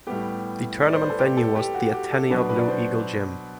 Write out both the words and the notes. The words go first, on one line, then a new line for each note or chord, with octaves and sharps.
The tournament venue was the Ateneo Blue Eagle Gym.
A2 G3 B3 G4
D5
C5
B4
A4
G4
A4
G4
F#4
G4
A4
B2 F#3 B3 D4 B4
B4
D5
C5